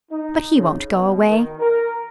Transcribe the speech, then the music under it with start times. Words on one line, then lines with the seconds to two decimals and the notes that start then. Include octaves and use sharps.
But he won't go away.
0.11 D#4
0.56 C#3
0.90 B2
1.28 D#3
1.59 A#4